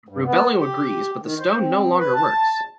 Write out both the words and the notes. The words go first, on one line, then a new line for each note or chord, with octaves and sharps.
Rubello agrees, but the stone no longer works.
G2
B3
G4
D#3
C5
C4
B4
A5